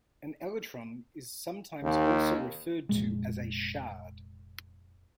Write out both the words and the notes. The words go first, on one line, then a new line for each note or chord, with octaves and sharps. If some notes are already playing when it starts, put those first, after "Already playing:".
An elytron is sometimes also referred to as a shard.
D#2
F1 A#2 G#3